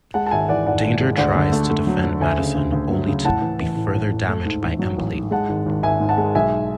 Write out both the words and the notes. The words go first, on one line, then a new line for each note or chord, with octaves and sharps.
Danger tries to defend Madison only to be further damaged by Emplate.
G#3 F#5 A5
A5
G#1 E5 G#5
E3 D5 F#5
G#1 D5 F#5
G#1
G#3
D2 D5 F#5
D3
A3
A3
F#3
D3
D2 E5 G#5
C#3
D2
D2
F#3
C#3
A2 F#5 A5
E3
A1
A2
A1
A2
A3
G#2
A1
F#3
A1
G#2
G#3 F#5 A5
G#1
G#1
G#1 E5 G#5
G#2
F#5 A5
G#3
B1 E5 G#5